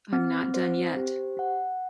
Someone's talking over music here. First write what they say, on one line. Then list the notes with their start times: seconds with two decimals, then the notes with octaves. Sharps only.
I'm not done yet.
0.13 C4
0.54 C5
0.97 G4
1.39 F#5